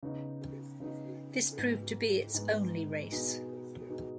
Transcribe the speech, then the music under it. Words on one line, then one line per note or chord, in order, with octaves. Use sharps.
This proved to be its only race.
C#3 B3 D#4
C#3 B3 D#4
G#2 G#3 B3
G#2 G#3 B3
B2 B3 D#4 G#4
B2 B3 D#4 G#4